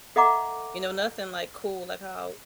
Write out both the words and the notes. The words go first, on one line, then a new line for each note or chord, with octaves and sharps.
you know, nothing like cool, like how,
A4 D#5 E5 F#5 A#5 D6